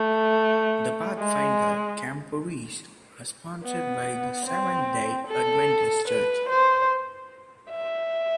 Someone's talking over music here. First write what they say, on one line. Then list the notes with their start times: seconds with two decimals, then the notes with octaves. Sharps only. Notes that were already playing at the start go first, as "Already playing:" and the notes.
The Pathfinder camporees are sponsored by the Seventh-day Adventist Church.
Already playing: A3
1.18 G#3
3.64 B3
4.46 C4
5.27 A4
6.08 B4
6.49 C5
7.71 E5